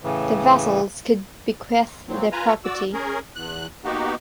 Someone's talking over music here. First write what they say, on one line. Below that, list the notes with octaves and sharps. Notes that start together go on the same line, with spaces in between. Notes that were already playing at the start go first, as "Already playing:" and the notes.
The vassals could bequeath their property.
A2 C#3 E3
A#2 F#3 C4
F4 B4 G#5 A#5
F#4 D5 E6
C#4 G#4 A#4
E2 F#6
A#3 B3 D#4 F#4 G4